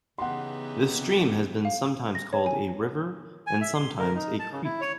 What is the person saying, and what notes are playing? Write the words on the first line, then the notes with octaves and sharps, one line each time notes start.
The stream has been sometimes called a river and sometimes a creek.
C#3 E3 B3 D#4 G4 F#5 C6
F5
E6
A#6
C#5
G#5
G#5
E5
C6
A#4
D#4
A5
C#3
E4
C#5